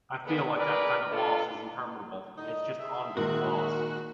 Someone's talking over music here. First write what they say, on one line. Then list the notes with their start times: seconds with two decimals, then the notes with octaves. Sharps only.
I feel like that kind of loss is interminable, it's just ongoing loss.
0.25 A#2 D3 G#3 B3
0.55 G#4 A#4 B4 D5
1.10 G#3 D4 F4 A4 B4 D#5
2.37 A2 D3 D#4
2.79 G#4 E5
3.17 A#2 D#3 G#3 F#4 A#4